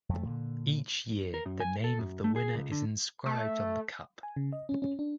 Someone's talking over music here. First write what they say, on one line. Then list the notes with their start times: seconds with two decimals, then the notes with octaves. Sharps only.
Each year, the name of the winner is inscribed on the Cup.
0.09 F2 A3
0.25 A#2 D3
1.34 A#4
1.46 F#2
1.60 G#5
1.84 A4
1.99 F#2
2.24 A3
2.36 G#4
2.55 C#2
2.72 D3
3.26 A3
4.23 G#5
4.37 C#3
4.52 D#5
4.69 C#4
4.82 C#4
4.99 D4